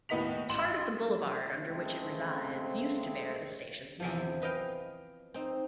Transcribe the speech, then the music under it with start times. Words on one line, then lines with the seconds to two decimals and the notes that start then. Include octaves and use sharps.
Part of the boulevard under which it resides used to bear the station's name.
0.09 D#2 A2 B3 D#5 B6 F7
0.49 A1 C6 E7 F#7
1.66 C#3 G#3 A3 C4
4.00 E2 C3 F3
4.42 B4 D#5 F5 G5
5.34 C4 D#4